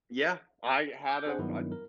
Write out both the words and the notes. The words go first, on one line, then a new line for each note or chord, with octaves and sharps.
Yeah, I had a I d
D6 G6
D4 G#4 C5 F#5
G2 D#3 F#3 B3 E4
A#4